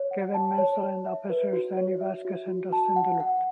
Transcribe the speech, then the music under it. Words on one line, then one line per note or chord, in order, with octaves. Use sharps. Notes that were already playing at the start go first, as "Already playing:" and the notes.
Kevin Mansell and Officers Danny Vasquez and Dustin Dillard.
Already playing: C#5
F#5
A5
C#5
C#5
E5
B4
F#4
C#5
E5
F#4
F#4
A5
F#5
F#5